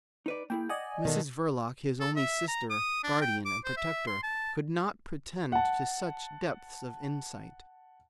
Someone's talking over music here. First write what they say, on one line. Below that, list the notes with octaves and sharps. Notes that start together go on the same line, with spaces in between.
Mrs Verloc, his only sister, guardian, and protector, could not pretend to such depths of insight.
D#4 B4 D5
A#3 E4 G#4 G5
D5 D#5 F#5 G#5
G2 B2 D#3 B3 A4
A4
E5
A#5
D#6
D4
G5
D6
C5
E5
C6
A5
F#5 A5